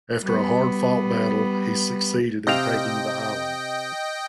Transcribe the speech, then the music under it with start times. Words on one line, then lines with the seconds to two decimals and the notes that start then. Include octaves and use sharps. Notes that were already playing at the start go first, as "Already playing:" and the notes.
After a hard-fought battle he succeeded in taking the island.
0.22 G3 B3
2.47 C3 D#5 F5 G5